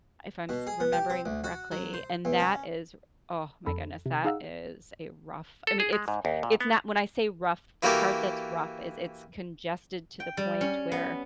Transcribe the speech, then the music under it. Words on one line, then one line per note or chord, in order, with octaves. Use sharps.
if I'm s remembering correctly. And that is- oh my goodness- that is a rough, I mean, it's it's not when I say rough, the part that's rough is it's congested to the point where
B2
G#4
B3
G4
C4
D2
F#4
F#3
C5
E2
C#4
F2 A4 B5
C3
D#4 G#4 F5 F#5 E6
A4
G#4
G#3
G#2
D#2
A#2
B3
E3 A#3 F#4 G4 A4 A#4
G5
G3
C#4
B3